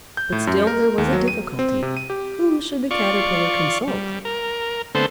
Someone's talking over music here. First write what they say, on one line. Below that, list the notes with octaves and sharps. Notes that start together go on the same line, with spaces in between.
But still there was a difficulty--whom should the Caterpillar consult?
G6
A2
F#2
A#4
D#2
F#3
D#7
C4
C3
D#7
G4
F4 D5 C#6
G3
A#4
D3 A3 B3 C4 A4 C5